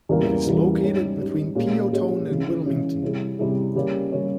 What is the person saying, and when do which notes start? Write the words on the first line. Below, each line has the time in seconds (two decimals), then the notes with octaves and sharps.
It is located between Peotone and Wilmington.
0.09 E2 C#3 E3 G3 A#3
0.46 E2 C#3 E3 G3 A#3
0.82 G#2 G3 C#4 G4
1.19 G#2 G3 C#4 G4
1.55 A#2 G#3 C#4 G4
1.93 A#2 G#3 C#4 G4
2.28 C#3 E3 G#3 C#4
2.65 C#3 E3 G#3 C#4
3.02 C3 G3 C#4 E4 G#4
3.39 C3 G3 C#4 E4 G#4
3.75 C#3 G3 A#3 C#4
4.12 C#3 G3 A#3 C#4